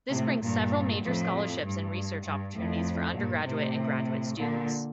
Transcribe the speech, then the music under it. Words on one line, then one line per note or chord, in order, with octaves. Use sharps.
This brings several major scholarships and research opportunities for undergraduate and graduate students.
A2 C3
G2 A#2
F2 A2
G2
G2
F2 A2
G2 A#2
A2 C3
A#2 D3